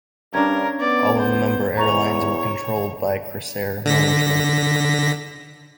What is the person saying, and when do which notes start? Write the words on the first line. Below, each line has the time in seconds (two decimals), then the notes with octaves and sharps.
All of the member airlines were controlled by Krasair management.
0.34 G2 C#4 D4 A#4 G#6
0.80 B3 D5
1.19 C5
1.77 E2 B4 C#5 A#5 C#6 F7
3.86 D3 A#6 B6